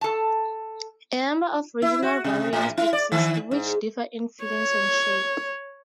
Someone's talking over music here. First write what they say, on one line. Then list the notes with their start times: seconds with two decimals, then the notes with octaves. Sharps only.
A number of regional variants exist which differ in fillings and shape.
0.01 A4 A5
1.82 E4
2.03 F#4
2.24 C3
2.53 A2
2.77 E4
2.93 D5
3.12 D#3
3.51 G#2
4.45 C#5